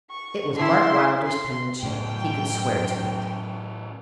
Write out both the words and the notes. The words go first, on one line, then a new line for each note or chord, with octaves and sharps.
It was Mark Wylder's penmanship--he could swear to it.
C#6
E4 C6
C6
F#2 A2 C#3 G5